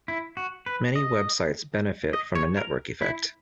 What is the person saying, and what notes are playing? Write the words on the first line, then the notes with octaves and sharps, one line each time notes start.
Many web sites benefit from a network effect.
E4
F#4
B4
D#5
D#5
C#5
A#4
E4